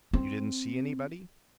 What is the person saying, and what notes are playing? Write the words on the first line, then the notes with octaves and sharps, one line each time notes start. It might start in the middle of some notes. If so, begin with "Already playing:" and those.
"You didn't see anybody?"
C4